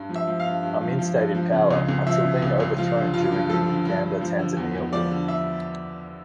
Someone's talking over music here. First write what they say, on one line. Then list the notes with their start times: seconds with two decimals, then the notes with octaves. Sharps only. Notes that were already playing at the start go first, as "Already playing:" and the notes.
Amin stayed in power until being overthrown during the Uganda–Tanzania War.
Already playing: G2
0.09 F3
0.16 E5
0.27 F3
0.40 F5
0.45 G2
0.63 G2
0.81 F3
0.99 F3
1.17 G2
1.35 F3
1.53 C#3
1.71 C#2
1.89 C#2
2.06 F3 E5
2.24 C#3
2.42 C#2
2.60 C#2
2.78 F3 F4
2.96 D3
3.14 G2 F4
3.32 G2
3.49 F3 A4
3.68 D3
3.86 G2
4.03 G2
4.21 F3
4.39 D3
4.57 E2
4.75 E2
4.93 F3 D5
5.11 D3
5.28 E5